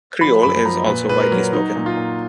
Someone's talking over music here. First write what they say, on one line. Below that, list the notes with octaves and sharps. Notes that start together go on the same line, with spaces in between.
Kriol is also widely spoken.
F3 B5
F#2 B5
F3 A#5
A#2 B4
A#2 B4
A#4
F#3
F#3 D#4
A#2
F4
A#2